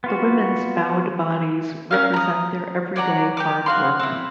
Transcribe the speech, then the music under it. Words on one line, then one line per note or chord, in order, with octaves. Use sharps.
The women's bowed bodies represent their everyday hard work.
B3 F4 F#4
C#4 A#4 F5
A#5 D#6
C#5 D5 F#5 A#5
G4 A#5 D6
F#4 F5 C6
C4 E4